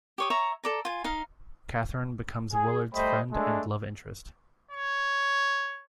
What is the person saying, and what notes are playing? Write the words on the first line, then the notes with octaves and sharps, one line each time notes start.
Cathryn becomes Willard's friend and love interest.
G4 C#5 D#6
C#5 E5 A#5 C#6
A4 D5 A#5
F4 G#5
D#4 F5
G#4
G3 A3 C5 D#5 G5 B5
G#3 A3 D4 A4
C#5